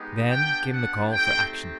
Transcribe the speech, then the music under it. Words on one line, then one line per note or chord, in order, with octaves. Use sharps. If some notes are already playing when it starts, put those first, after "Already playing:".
Then came the call for action.
Already playing: G#3 B3 D#4 G4
B3 D4 G4 G5
F#5
A3 C4 D#4 G4 G5